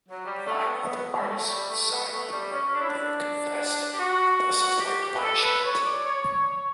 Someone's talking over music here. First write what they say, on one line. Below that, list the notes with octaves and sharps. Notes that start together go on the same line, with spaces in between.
Nine other artists who had signed the letter later "confessed" and thus avoided punishment.
F#3
G3
A3
B3
B3
G3
A3
G3
A3
B3
A3
G3
C#4
D4
E4
D4
G4
F#4
F#4
G4
G4
B4
A4
B4
B4
C#5
D5
C#5
C#5
C#5